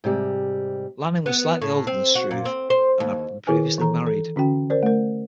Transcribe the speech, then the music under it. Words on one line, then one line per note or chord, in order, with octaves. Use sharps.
Lanning was slightly older than Struve and had been previously married.
G#2 C3 G3
B3
A2
C4
F#4
A#2
C4
C5
D#2
D#3 E4 G#4 A#4 B4 G#5
E3 A4 A#5
A4
D3 C#4 F#4 G5
A#4 C5 D5
A3 A#4